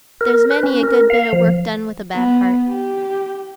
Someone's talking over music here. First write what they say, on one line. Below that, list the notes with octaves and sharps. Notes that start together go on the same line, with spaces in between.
There's many a good bit o' work done with a bad heart.
A#4
B4
C#4
A#4
F5
F3
B3
G4